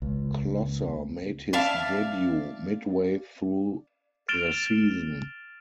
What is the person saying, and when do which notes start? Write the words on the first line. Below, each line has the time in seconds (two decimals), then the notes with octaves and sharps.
Closser made his debut midway through the season.
0.02 C#2
1.53 D5 E5 F5 A5
4.28 F6 A6 D7 E7 F7 G7